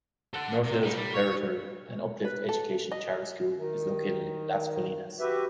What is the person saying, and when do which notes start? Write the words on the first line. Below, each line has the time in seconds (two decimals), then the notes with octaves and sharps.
North Hills Preparatory, an Uplift Education charter school is located in Las Colinas.
0.34 A4 F#5
0.63 C3
0.83 D#4 B4
0.96 G3
1.14 C#5
2.25 B4
2.49 A4
2.92 D#5
3.56 D#3
5.20 F#4 G4 B4 E5